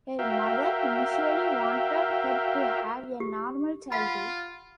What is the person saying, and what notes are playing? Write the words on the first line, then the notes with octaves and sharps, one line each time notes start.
Her mother initially wanted her to have a normal childhood.
F#4 A#4 E5 F5 G5
G4
F4 F5 F#5 B5